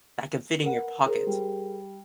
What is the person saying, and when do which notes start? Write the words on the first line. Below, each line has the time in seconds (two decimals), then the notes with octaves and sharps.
that can fit in your pocket.
0.62 A#4 B4 F#5
1.06 G#4 A#4 C5
1.27 G3